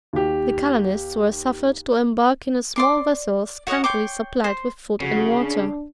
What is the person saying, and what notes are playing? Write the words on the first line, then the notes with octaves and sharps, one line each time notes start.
The colonists were suffered to embark in a small vessel scantily supplied with food and water.
D#2 G4
D5 C6 D6
F#4 C#5 D#5 F#5
C#5 G5 C6 D6
C5
C2 F2 C#3 F#4
D4